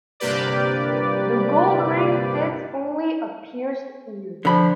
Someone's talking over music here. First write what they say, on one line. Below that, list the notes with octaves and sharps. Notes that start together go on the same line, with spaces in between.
The gold ring fits only a pierced ear.
G1 C3 A#3 G4 B4 D5
D3 F3 B5